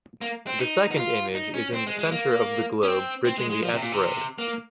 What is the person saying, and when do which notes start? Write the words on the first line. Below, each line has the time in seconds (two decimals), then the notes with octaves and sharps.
The second image is in the centre of the globe bridging the "S" road.
0.21 A#3
0.47 C4
0.59 D#4
0.91 D#4
0.98 F4
1.35 D#4
1.54 C#4
1.74 C4
1.87 G#3
1.99 G#3
2.12 A#3
2.83 C#4
2.87 C4
3.25 C4
3.38 G#3
3.50 G#3
3.63 F3
3.74 C3
3.82 A#2
3.92 C3
4.38 A#3